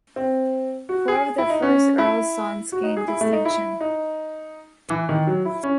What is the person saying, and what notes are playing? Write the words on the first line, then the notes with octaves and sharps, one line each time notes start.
Four of the first earl's sons gained distinction.
C4
F#4
G#4
E4
D#4
C#4
E4
F#4
D#4
G#4
E4
A3
D#4
E4
D#4
E3
D#3
F#3
E4
C#4